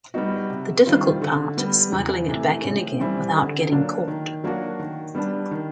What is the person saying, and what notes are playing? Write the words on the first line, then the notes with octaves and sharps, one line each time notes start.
The difficult part is smuggling it back in again without getting caught.
G3 B3 D#4 F#4
C3
D#3 G3 C4 F4
D3
G3 B3
E2
C3 E3 A3
A2
E3 G3 C4 E4
D3
F#3 A#3 D4
D#3
F#3 A#3 D4 F#4
D#3
G3 B3 D4
D#3